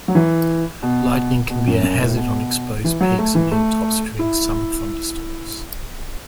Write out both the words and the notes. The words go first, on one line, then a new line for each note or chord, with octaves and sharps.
Lightning can be a hazard on exposed peaks and hilltops during summer thunderstorms.
F#3
E3
B2
B2
F#2
F#2
A2
B2
E3
F#3
A3
E3
A3
E4